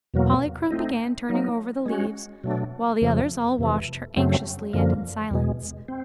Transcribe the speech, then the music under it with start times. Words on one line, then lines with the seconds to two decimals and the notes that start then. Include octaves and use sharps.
Polychrome began turning over the leaves, while the others all watched her anxiously and in silence.
0.14 E2 B2 F#3 A#3
0.71 A3 C4 D#4
1.29 F#3 A#3 D#4
1.86 G#3 C#4 F#4
2.44 B2 F#3 A3 D4
3.01 F2 C#3 F3 A3
3.58 F2 C3 E3 A3
4.16 F#2 C#3 F#3 A3 C4
4.73 F#2 D3 F3 A#3
5.31 E2 B2 G#3
5.88 C4